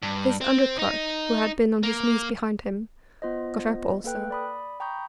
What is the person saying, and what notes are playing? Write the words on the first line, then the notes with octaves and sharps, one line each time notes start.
His under-clerk, who had been on his knees behind him, got up also.
G2
C4
D#4
A#3
B3 F4 C5 D#5
A#3 A4 B4 G5 F#6
D5 B5 D#6
G5 A#5 B5 C#6 D#6 G6